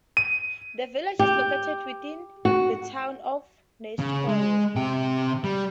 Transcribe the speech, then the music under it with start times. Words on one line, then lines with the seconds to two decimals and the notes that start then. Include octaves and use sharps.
The village is located within the Town of Neshkoro.
0.17 D#7
1.19 G4
2.45 F#4
3.99 C#3
4.28 G#3
4.76 C3 G5
5.44 G3